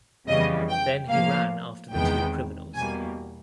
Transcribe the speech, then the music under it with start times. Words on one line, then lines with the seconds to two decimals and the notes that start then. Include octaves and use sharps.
Then he ran after the two criminals.
0.27 F2 C#3 E3 G3 B3 D#5
0.69 G5
1.09 A2 F3 A#3 F5
1.93 E2 C3 D#3 G#3 B3 G5
2.74 E2 B2 G3 A#3 G#5